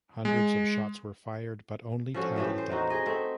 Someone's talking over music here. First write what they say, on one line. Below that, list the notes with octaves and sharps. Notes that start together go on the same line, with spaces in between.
Hundreds of shots were fired, but only Talley died.
G#3
F3 C#4 F#4 A4
A2 E3 A3 G4
C5
C4 D#4 F#4
G#4 D#5
A3 C4